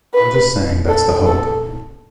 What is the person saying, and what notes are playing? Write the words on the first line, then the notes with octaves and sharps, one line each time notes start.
I'm just saying that's the hope.
B4
A4
A4